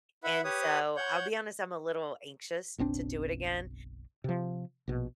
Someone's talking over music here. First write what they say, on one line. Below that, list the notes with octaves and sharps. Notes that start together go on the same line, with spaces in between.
And so, I'll be honest, I'm a little anxious to do it again.
E4 B4 E5 F#5 B5
G4 B4 C#5 D#6
C#5 F#5 G6
F#1 B1 C4 D4
C3 F3
A#1 B2